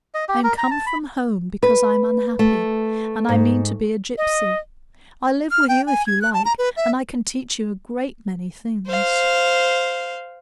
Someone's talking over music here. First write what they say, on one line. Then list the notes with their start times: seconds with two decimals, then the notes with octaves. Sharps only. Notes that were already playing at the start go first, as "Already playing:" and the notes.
"I'm come from home because I'm unhappy, and I mean to be a gypsy. I'll live with you if you like, and I can teach you a great many things."
0.14 D#5
0.29 G4
0.44 A#4
0.58 A#5
0.71 A5
0.87 B5
1.63 B4
2.39 A3
3.29 G#2
4.18 D#5
5.51 F6
5.69 G5
5.87 G#5
6.07 G#6
6.22 F#6
6.34 A5
6.45 A#5
6.59 B4
6.77 E5
8.87 C5 F5